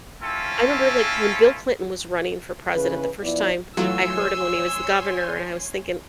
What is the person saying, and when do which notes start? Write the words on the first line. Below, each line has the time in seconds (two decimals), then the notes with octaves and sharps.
I remember, like, when Bill Clinton was running for president, the first time I heard him when he was the governor, and I was thinking,
0.21 C4 C#4 E4 F4 A4
2.75 C#3 E3 G#4 B4
3.22 F3 B3 E4 D5
3.77 E3 F#3 A3 F4 C#5 G#5 C6 E6